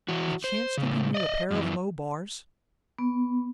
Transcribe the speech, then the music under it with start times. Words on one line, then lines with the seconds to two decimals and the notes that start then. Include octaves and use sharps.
We chanced to be near a pair of low bars.
0.08 E3 F#4
0.44 C5
0.77 A2 C#3
1.14 D5 D#5
1.51 F#2 E3
2.99 B3